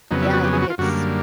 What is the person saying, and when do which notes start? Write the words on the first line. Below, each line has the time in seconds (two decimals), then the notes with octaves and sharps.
yeah, I think it's
0.11 F2 C#3 F#3 B3 D#4
0.22 E4
0.33 F#4
0.44 G4
0.53 G#4
0.62 F#4
0.70 F4
0.78 F#2 D3 G3 A#3 F#4